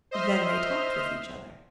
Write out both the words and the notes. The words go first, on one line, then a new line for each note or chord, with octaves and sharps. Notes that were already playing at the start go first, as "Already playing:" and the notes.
"Then they talked with each other."
C5 D#5 E5 C6 F6